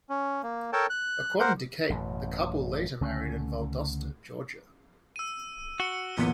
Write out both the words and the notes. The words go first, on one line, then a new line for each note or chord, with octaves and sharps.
According to Kate, the couple later married in Valdosta, Georgia.
C#4
A#3
A4 A#4 C#5 G5 A5
F#6
A#4 C5 F#5
A1 F#2 B2
C#2 D3 A3 C#4
E6 D#7
F#4 C#7 G7
B1 E2 A#2 B3